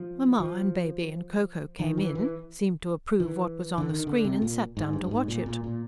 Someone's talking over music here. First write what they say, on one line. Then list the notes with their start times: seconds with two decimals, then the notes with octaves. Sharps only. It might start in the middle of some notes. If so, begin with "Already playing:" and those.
Mamma and Baby and Ko-Ko came in, seemed to approve what was on the screen and sat down to watch it.
Already playing: F3
0.40 F3
1.79 D#3
1.97 E3
2.15 E3
3.20 E3
3.78 D3
3.89 D#3
4.07 D3
4.24 C3
4.42 A#2
4.77 G#2
4.93 G2
5.04 G2
5.11 G#2
5.28 A#2
5.46 A#2
5.64 A#2